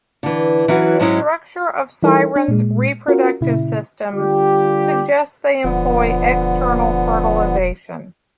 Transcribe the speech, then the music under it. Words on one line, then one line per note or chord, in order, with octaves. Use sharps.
The structure of sirens' reproductive systems suggests they employ external fertilization.
D3 E3
E3 F#3 C#4 F#4 B4
G#2 F#3 G#3 C#4 E4 D#5
E3 G3 D#4 E4 A4 A#4
D4
A#2 G#3
C#4 F4 F#4 A#4
A#2 C#3 E4
D3 G3 F4 G4
E1 D3 F3 B3